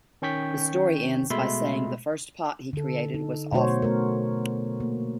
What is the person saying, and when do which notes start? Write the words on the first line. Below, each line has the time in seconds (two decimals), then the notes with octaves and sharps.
The story ends by saying the first pot he created was 'awful.
0.22 D#3 C#4 G5 C#6 G6 B6
1.30 B2 G#3 A3 E5 B5 C6
2.73 D3 A4
3.14 D#4
3.52 B2 F#3 A3 F#4 C5 C#5
3.82 A3 A#4
4.80 A#3